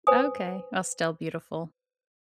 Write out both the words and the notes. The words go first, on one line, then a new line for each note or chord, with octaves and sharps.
Okay. Well, still beautiful.
B4 C5 G#5 D#6